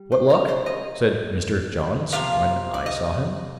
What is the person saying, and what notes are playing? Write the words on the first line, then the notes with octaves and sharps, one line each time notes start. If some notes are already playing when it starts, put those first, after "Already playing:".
"What luck?" said Mr, Johns when I saw him.
Already playing: G3
C5
A#4
C5
D#5
C3 F3 A#3 F5
D5
D#5